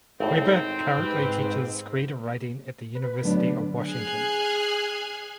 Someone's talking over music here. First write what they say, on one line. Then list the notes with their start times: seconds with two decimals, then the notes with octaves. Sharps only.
Webber currently teaches creative writing at the University of Washington.
0.20 G#1 A2 C4 D#4
0.98 G#2 G4 B4
2.95 B4
3.23 D3 F#3 A3 B3 D4
3.86 G#4 F6 F#6 G#6 C7